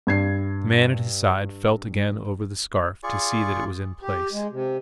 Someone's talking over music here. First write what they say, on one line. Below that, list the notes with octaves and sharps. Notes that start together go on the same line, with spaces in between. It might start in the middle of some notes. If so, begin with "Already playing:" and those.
The man at his side felt again over the scarf to see that it was in place.
G2 G#6 C7
F4 G#4 D5 C#6
G4
G#3
C3